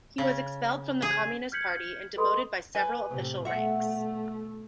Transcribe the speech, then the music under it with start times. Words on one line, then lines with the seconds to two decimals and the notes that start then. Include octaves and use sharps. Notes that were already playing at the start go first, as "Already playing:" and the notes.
He was expelled from the Communist Party and demoted by several official ranks.
0.18 C#3
1.02 G#4
1.52 F6 G6 G#6 B6 C#7 F#7
2.17 A4 B4 D#5 B5 C6 D#6
2.75 B4 G#5
3.09 A2 C3
3.45 B2 A3 E5 F#5